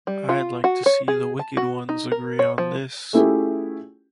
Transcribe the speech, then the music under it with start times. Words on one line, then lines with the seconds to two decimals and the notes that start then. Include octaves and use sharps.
I’d like to see the wicked ones agree on this.
0.07 G3
0.29 F4
0.64 F#4
0.86 C#5
1.08 G#4
1.39 A5
1.57 F#4
1.89 D#4
2.12 A#4
2.39 C#5
2.58 F3
3.13 A3 C#4 E4 F4 G4 G#4